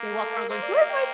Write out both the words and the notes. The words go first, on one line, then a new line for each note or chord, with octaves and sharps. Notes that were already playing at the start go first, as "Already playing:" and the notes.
they walk around going, "So where's my
Already playing: A#3
A4
A4
A#4
A#3 C5
D5
F5
G5